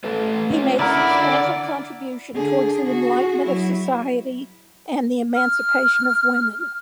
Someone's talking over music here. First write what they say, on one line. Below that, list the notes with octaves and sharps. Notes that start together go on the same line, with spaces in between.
He made substantial contribution towards the enlightenment of society and the emancipation of women.
A3 A4 B4
C#4 F4 C#5
D3 E4 A#4 D5 F#5 B5
D3 G#4
F#4 G#4
F#3 E4
F6